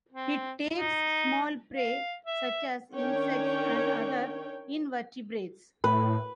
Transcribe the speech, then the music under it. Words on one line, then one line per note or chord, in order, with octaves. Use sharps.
It takes small prey such as insects and other invertebrates.
C4
D#4
F5
E5
D#3 C#4 D4 C#5 G5
A2 B4